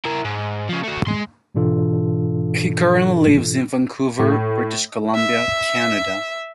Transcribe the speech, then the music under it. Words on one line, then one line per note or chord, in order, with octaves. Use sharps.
He currently lives in Vancouver, British Columbia, Canada.
E4 A#4
G#2
C#3 F3
A3 F#4
G#3 C6
G#2 B2 E3 D4 F4 A4
A2
E5